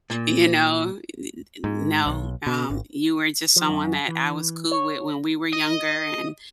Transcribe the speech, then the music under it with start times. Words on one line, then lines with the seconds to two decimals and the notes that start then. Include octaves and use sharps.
you know, u n n no, um, you were just someone that I was cool with when we were younger and
0.10 A#2
1.64 G#2
2.06 B1
2.47 B2
2.70 G#1
3.56 F3
3.69 F#2
4.08 E3
4.71 C#5
5.53 D#5